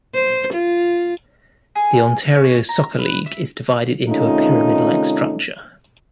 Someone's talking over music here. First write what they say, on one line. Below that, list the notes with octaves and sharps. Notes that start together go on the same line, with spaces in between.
The Ontario Soccer League is divided into a pyramid-like structure.
C5
F4
G#4
C#4
A#5
B4
E5
C3 D#3 A3 C#4 D#4 F4